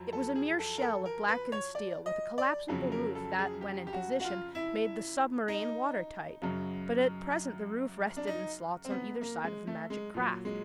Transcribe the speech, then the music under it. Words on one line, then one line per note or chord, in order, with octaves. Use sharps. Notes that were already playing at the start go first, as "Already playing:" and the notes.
It was a mere shell of blackened steel, with a collapsible roof that, when in position, made the submarine watertight, but at present the roof rested in slots on either side of the magic craft.
Already playing: F2 F#3
A4
G#4
A4
A#4
A4
A#4
B4
C#5
D5
D#5
D5
F2 C#3 F#3
A#4
A4
G#4
G4
G4
F#4
F#4
F4
E4
D#4
F#2 C#3 F#3
D4
D#4
C4
B3
A#3
G#3
A3
G#3
A#2 F#3
G#3